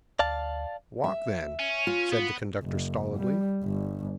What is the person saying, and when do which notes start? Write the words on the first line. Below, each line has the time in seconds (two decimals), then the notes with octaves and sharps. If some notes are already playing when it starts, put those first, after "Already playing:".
'Walk then,' said the conductor stolidly.
0.19 D2 D5 F5 A5
1.04 E5
1.60 C#4
1.87 F4
2.12 B3
2.64 F#1
3.17 G3
3.64 G1